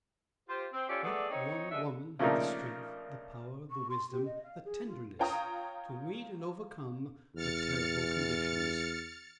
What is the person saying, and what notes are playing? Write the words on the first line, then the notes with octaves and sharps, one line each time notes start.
What one woman had the strength, the power, the wisdom, the tenderness, to meet and overcome the terrible conditions?
F4 G4 C5
C4
C#4 F4 G4 A4 C#5 D5
A3 B3 G#4 A4 D5
C4 D#4 C#5
D#2 G#2 D4 A4 D#5 E5
C#3 F3 A3 A#3 D4 D#4
C#6
C6
G4
D#5
F5
G#4
F4
F4 C#5 G5 A#5 D#6
E2 F6 A6 C#7